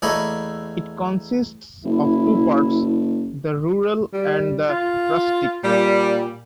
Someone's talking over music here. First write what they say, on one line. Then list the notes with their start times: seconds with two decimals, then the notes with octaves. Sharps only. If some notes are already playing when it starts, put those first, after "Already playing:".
It consists of two parts : the rural and the rustic.
0.02 E2 A3 A#3 C#5 D#5 B5
1.85 F#1 E4
4.13 G3
4.69 F4
5.64 A#2 G3